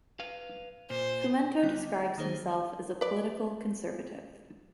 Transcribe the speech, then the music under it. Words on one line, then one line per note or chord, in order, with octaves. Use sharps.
Fumento describes himself as a political conservative.
B4 F5
A#2 C5
D3 G3 B3 G5
A6
D#3 A#3 D#4 G#4 C5 C#5
B4 D5